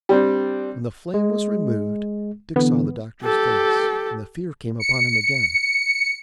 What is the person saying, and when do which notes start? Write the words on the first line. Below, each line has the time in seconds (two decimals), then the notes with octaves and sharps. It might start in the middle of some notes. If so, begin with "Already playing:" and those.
When the flame was removed, Dick saw the doctor's face, and the fear came upon him again.
0.09 G3 C4 D4
1.14 G#3
2.56 D3 E3 B3
3.23 G4 A4
4.80 C#7